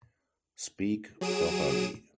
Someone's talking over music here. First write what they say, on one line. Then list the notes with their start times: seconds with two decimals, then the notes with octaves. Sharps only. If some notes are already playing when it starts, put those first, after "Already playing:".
Speak properly.
1.21 F#3 G#4 D#6 D7 E7